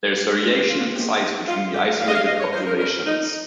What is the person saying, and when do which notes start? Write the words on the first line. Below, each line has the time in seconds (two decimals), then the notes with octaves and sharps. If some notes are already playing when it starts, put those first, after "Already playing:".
There is variation in size between the isolated populations.
0.16 A#2 G4
0.29 G4
0.42 F3 G#3 F4
0.55 G4
0.69 A#2 F4
0.95 F3 G4
0.99 G#3
1.22 G#2 D#4
1.48 G3 F4
1.73 G#2 G4
2.00 G3 F5
2.08 D#5
2.15 F5
2.27 G2 D#5
2.40 C#5
2.53 F3 G#3 C5
2.66 A#4
2.79 G2 A#4
3.06 F3 G#3 D#4